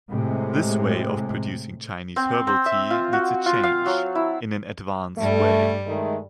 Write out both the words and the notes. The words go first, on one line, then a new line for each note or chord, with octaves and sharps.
This way of producing Chinese herbal tea needs a change, in an advance way.
A2 C3 G#3
C4
C4
E5
F4
F#4
F4
F5
F#3
E4
G2 G3 A3
D#3 G#3 A3